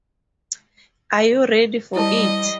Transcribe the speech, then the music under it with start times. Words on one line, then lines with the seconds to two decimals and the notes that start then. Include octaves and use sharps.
Are you ready for it?
1.96 G3 E4 C5 D#5 A5